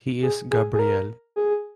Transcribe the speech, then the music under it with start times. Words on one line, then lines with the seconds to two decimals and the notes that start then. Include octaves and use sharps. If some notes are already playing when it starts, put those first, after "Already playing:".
He is Gabriel.
0.22 G#4
0.51 G#4
0.74 G#4
0.79 A#4
1.36 G#4